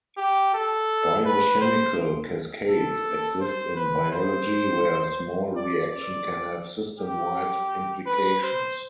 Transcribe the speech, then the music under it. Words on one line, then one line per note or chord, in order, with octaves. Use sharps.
Biochemical cascades exist in biology, where a small reaction can have system-wide implications.
G4
A4
B4
C5
A4
C5
B4
C5
D5
D5
G4
B4
C5